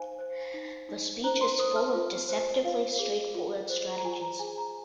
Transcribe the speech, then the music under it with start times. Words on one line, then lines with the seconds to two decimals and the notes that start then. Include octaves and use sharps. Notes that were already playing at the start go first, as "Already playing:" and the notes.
The speech is full of deceptively straightforward strategies.
Already playing: D#4 C5 F5 G#5
0.19 C5
0.54 D#4
0.89 D#4
1.24 C5 A#5
1.41 C6
1.58 C5 D#6
1.76 F6
1.94 F4
2.29 C5
2.64 F4 F5
2.99 G#4
3.35 F4
3.69 C5
3.97 A#5
4.04 F4 G#5
4.22 A#5
4.39 G#4 G#5
4.58 A#5